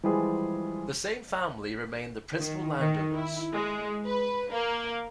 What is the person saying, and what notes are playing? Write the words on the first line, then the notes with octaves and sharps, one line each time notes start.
The same family remain the principal landowners.
E3 F3 G3 G#3 G#4
D#3
D#3
E4
G#3
B4
A#3